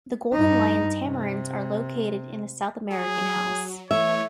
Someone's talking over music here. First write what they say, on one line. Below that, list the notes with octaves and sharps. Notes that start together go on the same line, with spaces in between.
The golden lion tamarins are located in the South American house.
G2 D#4
C3
F#3 G#4
E3 A3 C#5 E5